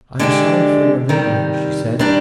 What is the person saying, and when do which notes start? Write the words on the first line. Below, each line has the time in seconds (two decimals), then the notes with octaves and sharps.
"I am sorry for your labor," she said.
0.19 D3 G#3 D4 G4
1.09 C3 D#3 G3
1.99 D#3 G3 D4